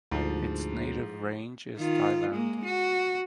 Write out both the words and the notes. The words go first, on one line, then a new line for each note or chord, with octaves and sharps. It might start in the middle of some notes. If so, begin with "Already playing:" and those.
Its native range is Thailand.
D2 G#2 F3
D#3 F4
G#3 A#3
F#4